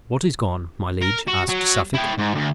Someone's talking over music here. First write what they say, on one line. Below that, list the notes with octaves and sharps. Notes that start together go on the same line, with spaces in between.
"What is gone, my liege?" asked Suffolk.
A#4
F#4
F#3
E4 G5
G#2
D2